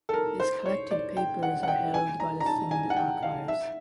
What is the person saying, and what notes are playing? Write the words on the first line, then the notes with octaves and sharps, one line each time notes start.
His collected papers are held by the Sindh Archives.
A4
A#4
C5
C#5
D5
G5
F#5
F#5
G5
G#5
A#5
A#5
A5
G#5
F#5
G5
F5
E5